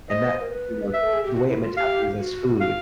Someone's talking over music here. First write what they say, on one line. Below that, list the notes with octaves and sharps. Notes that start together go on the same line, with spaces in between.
and that you know, the way it metabolizes food,
C5 D#5
B4
C5
A#4
B4
E5
A4
G#4
G4
F#4
E4
F4
F#4
G4 F5
F#4
F5